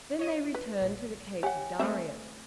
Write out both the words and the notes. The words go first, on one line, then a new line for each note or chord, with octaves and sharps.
Then they returned to the case of Darius.
C#5 D#5 D#7
B4
A#1
G4 C#5 F#5 G#5
A3 C4 B4 C5 E5